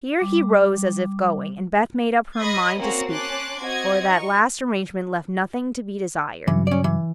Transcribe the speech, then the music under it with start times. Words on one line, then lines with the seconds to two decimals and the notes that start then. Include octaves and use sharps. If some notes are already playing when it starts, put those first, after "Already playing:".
Here he rose, as if going, and Beth made up her mind to speak, for that last arrangement left nothing to be desired.
0.20 G3 D6
2.35 D#5 B5 C6 D#6 G#6 A6
2.77 A#3 C4 C#4 F#4 A#4 C5
3.09 C#4 A5 C6 D6 F#6
3.60 C4 F#4 D#5 G#6
4.09 D#4 C#6
6.47 G2 C#3 E3 F#3
6.67 C#4 D5
6.84 E3